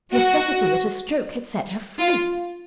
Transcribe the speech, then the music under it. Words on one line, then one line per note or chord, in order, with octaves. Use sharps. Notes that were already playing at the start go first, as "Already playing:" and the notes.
Necessity at a stroke had set her free.
F#4
F4